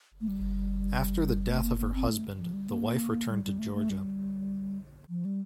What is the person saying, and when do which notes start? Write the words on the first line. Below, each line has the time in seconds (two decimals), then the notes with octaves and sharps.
After the death of her husband, the wife returned to Georgia.
0.21 A3
0.28 G3
1.49 A3
1.63 A#3
1.78 A#3
1.94 C4
2.09 A3
2.39 F3
2.53 G3
2.69 A#3
3.30 G3
3.44 G3
3.59 A3
3.74 A3
3.90 G3
5.09 F3
5.25 G3